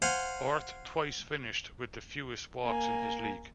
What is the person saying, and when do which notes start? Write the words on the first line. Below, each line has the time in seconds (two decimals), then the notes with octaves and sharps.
Orth twice finished with the fewest walks in his league.
0.02 C5 F5 F#5 G#5 C6
2.65 A#3 G#5